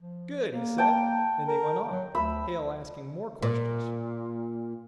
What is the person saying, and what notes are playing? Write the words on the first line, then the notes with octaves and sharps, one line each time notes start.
"Good!" he said, and they went on--Hale asking more questions.
F3
A#3
G5 A5
A#4
F#3
D2 E5 B5 E6
A#2